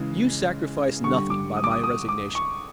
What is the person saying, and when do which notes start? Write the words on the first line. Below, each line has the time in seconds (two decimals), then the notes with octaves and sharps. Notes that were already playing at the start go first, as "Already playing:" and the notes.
You sacrifice nothing by my resignation.
Already playing: C#3 E3 G#3
1.04 D3 G3 C#6
1.30 D6
1.57 D#6
1.64 D6
1.71 D#6
1.84 D#6
2.09 D6
2.35 C#6